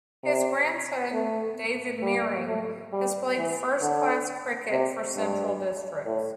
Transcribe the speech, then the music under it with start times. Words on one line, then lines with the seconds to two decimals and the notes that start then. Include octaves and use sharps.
His grandson, David Meiring, has played first-class cricket for Central Districts.
0.23 C3
1.13 A3
2.03 G3
2.47 A3
2.92 G3
3.37 E3
3.82 D3
4.71 C3
5.16 G2
6.06 A2